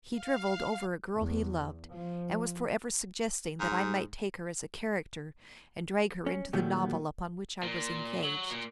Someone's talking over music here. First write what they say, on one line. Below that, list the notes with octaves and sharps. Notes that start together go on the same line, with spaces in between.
He drivelled over a girl he loved, and was forever suggesting that I might take her as a character and drag her into the novel upon which I was engaged.
F5
E2
F3
G#2
C#4
A#2 D#3 F#3 G3 A3 B3
A#2
F#3
A#2